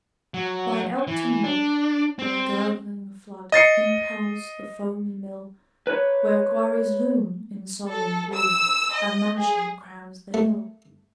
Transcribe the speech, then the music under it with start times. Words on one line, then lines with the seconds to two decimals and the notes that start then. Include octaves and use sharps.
By Elkton wood, where gurgling flood Impels the foamy mill, Where quarries loom, in solemn gloom, A mansion crowns the hill.
0.34 F#3
1.07 E3
1.44 D4
2.19 C4
3.52 D#5 A6 C7 C#7
5.87 B4 C#5
7.88 A4
8.34 E6
8.94 D#5
9.38 G#4
10.34 A3